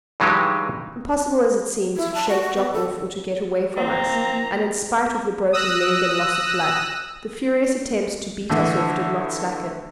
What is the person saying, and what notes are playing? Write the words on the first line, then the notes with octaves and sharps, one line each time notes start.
Impossible as it seemed to shake Jock off or to get away from us, and in spite of the broken leg and loss of blood, the furious attempts to beat us off did not slacken.
G2 E3 F#3 G#3 D#4 G4
E4
A5
F#4
F#4
B3
A4
A#3 C4 A#5
D#6 E6 F#6 A#6
A2 D3 E3